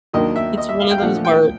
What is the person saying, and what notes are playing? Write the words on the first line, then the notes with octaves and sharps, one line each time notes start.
It's one of those words.
D#2 D#3 F#3 A#3 D4 D#5
E5
D#5
E5
F5
G5
F5
A#2 F3 A3 D4 F#5
G5